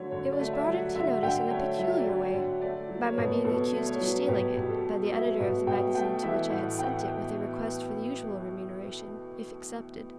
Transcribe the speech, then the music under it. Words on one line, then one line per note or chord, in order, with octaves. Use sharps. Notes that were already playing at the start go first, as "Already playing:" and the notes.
It was brought into notice in a peculiar way,--by my being accused of stealing it, by the editor of the magazine to which I had sent it with a request for the usual remuneration, if accepted.
Already playing: D3 F#3 A3 C#5
D3 C#5
D5
A3
E5
F#3
F#5
D3 E5
D3 G5
A3 C#5
F#3 E5
D5
D3
C#5
D3
F#5
A3 D5
F#3
C#5
B2
B2 A4
A3
C#5
F#3
B2 G4
B2
A4
A3
F#3 E5
B2 F#5
B2 G5
A3 G5
E3 E5
A2 F#5
A2 G5
F#5